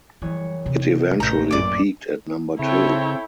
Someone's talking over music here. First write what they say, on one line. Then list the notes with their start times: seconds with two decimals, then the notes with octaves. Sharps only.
It eventually peaked at number two.
0.22 F#1 E3 F3 G3 C#5
0.66 E1 C3
1.20 A1 A#5 G6 C#7 E7
1.51 A#1 F#2 A#3 D5 D6
2.59 C#3 C4 E4 A4 C#5 G5